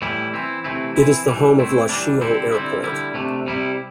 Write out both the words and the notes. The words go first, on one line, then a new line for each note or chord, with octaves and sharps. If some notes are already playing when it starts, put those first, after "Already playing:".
It is the home of Lashio Airport.
A2 E3 G3 E4
E3 C4 E4
C3 E3 A3 C4 E4
E3 C4 E4
E3 G3 D4
A2 A3 C4 E4
E3 G3 D4
D3 G3 C4 E4
D3 G3 C4 E4
D3 G3 E4
C3 A3 D4
C3 G3 E4